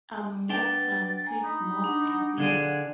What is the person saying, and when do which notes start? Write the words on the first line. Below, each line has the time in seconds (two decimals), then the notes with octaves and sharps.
I'm more frantic, more breathless.
0.49 D4 B4 F#5 G5 A6
1.26 G#5 A#5
1.44 D#4 B5
1.84 D4 F#5
2.38 D3 D4 G#4 F5 F#5 G#6